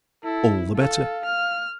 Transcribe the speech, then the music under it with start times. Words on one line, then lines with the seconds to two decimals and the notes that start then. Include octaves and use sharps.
All the better.
0.24 E4 A4
0.76 A4 F5
1.25 F6